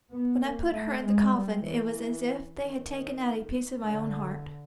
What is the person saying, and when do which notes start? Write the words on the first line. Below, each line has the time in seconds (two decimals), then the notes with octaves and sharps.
When I put her in the coffin it was as if they had taken out a piece of my own heart.
0.12 B3
0.42 A#3
0.72 A3
1.04 G#3
1.34 G3
1.65 E3
2.57 D#3
3.80 D3